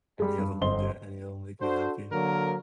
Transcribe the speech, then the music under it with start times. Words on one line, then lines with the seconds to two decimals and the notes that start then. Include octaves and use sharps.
Any of them will do it, any of them make me happy.
0.20 G3 G#3
0.39 G2
0.61 G1 C4 D#5 C6 G7
1.61 D4 F#4 A4 C5
2.11 D3 F#3 A#3 A#4